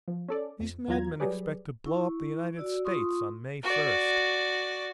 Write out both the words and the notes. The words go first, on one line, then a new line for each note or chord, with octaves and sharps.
These madmen expect to blow up the United States on May first.
F3
C#4 A4 D5
F2
E2 F#3 F4 A#5 G#6
F#3 G3 G4 G#4 B4 D5
E4 C#6
F#4 D5 E6
F4 C6 C#6 D#6
F#4 D5